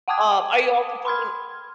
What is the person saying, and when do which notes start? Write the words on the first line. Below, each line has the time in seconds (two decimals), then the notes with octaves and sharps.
Um, are you also doing
0.08 F#5 G5 A5 D6 D#6 G#6
1.05 B5 C6 F6 G#6